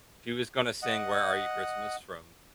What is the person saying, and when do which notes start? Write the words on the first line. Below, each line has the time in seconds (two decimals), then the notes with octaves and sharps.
She was gonna sing Where Are You Christmas from
0.83 D#5 F#5